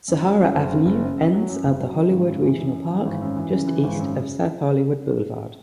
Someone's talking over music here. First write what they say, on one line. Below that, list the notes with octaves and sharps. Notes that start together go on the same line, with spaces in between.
Sahara Avenue ends at the Hollywood Regional Park, just east of S Hollywood Boulevard.
F#2
F#3
F#2
F#1
C#3
F#1
C#3
F#2
F#3
F#2
F#1
F#3
C#3
G#1
F#2
E3
F#2
F#2
E3
G#1
F#2
E3
C#3
E3
G#1
F#2
C#3